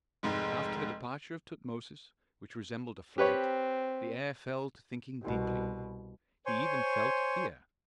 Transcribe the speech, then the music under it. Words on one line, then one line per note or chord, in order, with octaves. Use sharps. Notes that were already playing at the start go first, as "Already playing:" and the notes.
After the departure of Tutmosis, which resembled a flight, the heir fell to thinking deeply; he even felt fear.
F1 G#2 G#3
C4 G4 B4 C#5
C2 B2
C5 C#5 G#5 C6 C#6